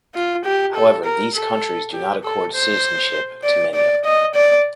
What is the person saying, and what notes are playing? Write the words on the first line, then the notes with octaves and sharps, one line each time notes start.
However these countries do not accord citizenship to many of them.
F4
G4
A4
A#4
A4
G4
A4
C5
D5
D5
D#5
D5